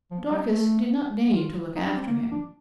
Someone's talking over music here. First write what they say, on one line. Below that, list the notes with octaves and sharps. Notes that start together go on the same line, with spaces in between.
Dorcas did not deign to look after him.
F3
G3
A3
F4
D#4
D4
C4
A#3
A#3
D4